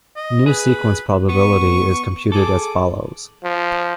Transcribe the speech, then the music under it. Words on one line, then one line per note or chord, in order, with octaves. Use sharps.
New sequence probability is computed as follows.
D#5
G#4 B4
B3 C#6
G#4 A4 D6
F3